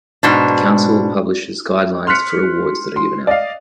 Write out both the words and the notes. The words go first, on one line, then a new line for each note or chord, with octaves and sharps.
The Council publishes guidelines for awards that are given out.
G#2 B2 D4
C6 F6 F#6 B6 C#7
C6
D5 D#5 F5